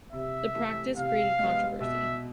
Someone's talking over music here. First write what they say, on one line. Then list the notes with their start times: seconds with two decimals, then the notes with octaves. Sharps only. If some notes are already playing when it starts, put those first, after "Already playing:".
The practice created controversy.
0.13 C3 E5
0.55 E3 A3
0.97 C3 F5
1.39 G#3 B3
1.80 B2 E5